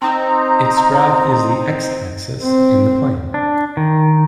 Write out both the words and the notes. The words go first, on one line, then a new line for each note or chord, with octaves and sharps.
Its graph is the "x"-axis in the plane.
C4 D#4 A#5
C4
D4
D#3